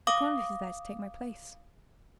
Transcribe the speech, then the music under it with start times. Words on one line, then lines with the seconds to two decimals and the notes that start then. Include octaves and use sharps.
"The cornet is there to take my place."
0.07 F5 D6 D#6